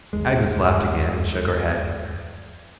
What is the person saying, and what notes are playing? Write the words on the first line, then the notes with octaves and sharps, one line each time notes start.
Agnes laughed again, and shook her head.
G1 D#2 G#3